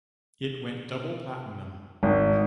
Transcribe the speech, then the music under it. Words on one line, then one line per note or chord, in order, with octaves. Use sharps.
It went Double Platinum.
G#1